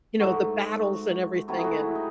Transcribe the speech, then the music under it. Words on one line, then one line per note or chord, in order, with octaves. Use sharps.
you know, the battles and everything and
G#2 F#3 A3 F#4
C3 F#3 A3 E4
G#4
F#4
E4
D#4